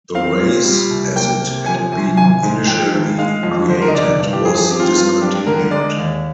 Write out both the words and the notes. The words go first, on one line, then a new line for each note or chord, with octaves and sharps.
The race, as it had been initially created, was discontinued.
C4 F5
A#2
G3
C2
A#3 G5
C3
F3 G#5
C2 G#5
G#1 G#5
G#2
F3 G5
G#1
G#3 F5
F2
D3 C5
A#4
D#5
F1 D5
D5
G2
G4
F3 G#4
G#4
C4 G4
F4
G2 F4
D4 G4
D3 A#4
G#3 D5
D#2